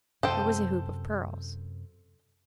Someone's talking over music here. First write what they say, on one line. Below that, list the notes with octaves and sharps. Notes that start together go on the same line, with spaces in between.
It was a hoop of pearls.
F#2 C3 A4 C5 G5